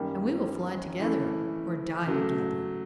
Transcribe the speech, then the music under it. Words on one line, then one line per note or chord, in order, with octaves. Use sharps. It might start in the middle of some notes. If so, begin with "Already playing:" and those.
And we will fly together or die together.'
Already playing: F#2 D#3 G3 A#3
E3 A3 C#4 E4
C#3 F#3 A3